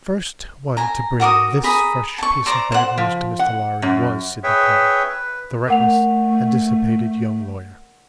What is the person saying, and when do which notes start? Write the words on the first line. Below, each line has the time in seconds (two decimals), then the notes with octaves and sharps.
The first one to bring this fresh piece of bad news to Mr. Lorry was Sydney Carton, the reckless and dissipated young lawyer.
0.77 G#5 A#5
1.20 F#4 A#4 D6 D#6
1.63 G#4 A#5 B5
2.18 A5 C#6
2.46 C5 D5 A#5 D6
2.72 C5 F#5
2.98 F3
3.39 F#5
3.82 F#2
4.44 G#4 B4 C#5 E5 G5
5.09 B4
5.68 A3 A#4 F#5 F7